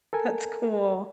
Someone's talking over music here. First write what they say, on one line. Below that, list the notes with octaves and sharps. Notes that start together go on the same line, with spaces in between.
That's cool.
A4 A#4 G#5